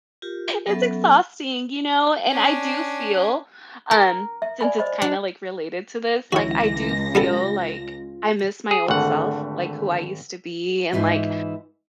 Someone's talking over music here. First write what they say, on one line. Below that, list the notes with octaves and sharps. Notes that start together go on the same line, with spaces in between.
It's exhausting, you know? And I do feel, um, since it's kinda, like, related to this, like, I do feel, like, I miss my old self, like, who I used to be and, like,
F4 G4 A#4
F#3 B3 C#4 A4 E5
C#4 D4
A#4
E5
D5 G#5 B5
C5 D#5 B5
D4
C#2 D#3 F3 E4 F#4 C#5 A#6
G3 B3 F4 A4
G#4
G#1 D3 A3 F#5
G#2 E3 E4 F4